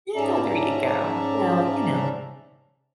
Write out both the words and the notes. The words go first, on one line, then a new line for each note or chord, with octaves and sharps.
Yeah. There you go. Well, you know,
G#2 C#4 D5 E5 A5 A#5